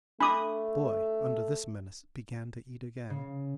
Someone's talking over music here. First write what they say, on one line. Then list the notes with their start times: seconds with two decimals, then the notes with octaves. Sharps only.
The boy, under this menace, began to eat again.
0.21 A3 D4 B5 D6 D#6
3.10 C#3